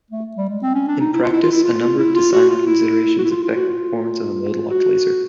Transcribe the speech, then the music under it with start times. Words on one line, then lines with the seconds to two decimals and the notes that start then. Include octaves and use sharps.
In practice, a number of design considerations affect the performance of a mode-locked laser.
0.11 A3
0.36 G3
0.49 G#3
0.62 C4
0.74 C#4
0.88 D4
1.00 D#4
1.13 E4
1.23 F4
1.32 E4
1.42 F4
1.52 E4
1.64 F4
1.81 F4
1.98 E4
2.15 F4
2.32 F#4
2.49 F4
2.66 E4
3.18 F#4
3.24 E4
3.30 F4
3.43 F4
3.56 F#4
3.69 F4
4.71 F#4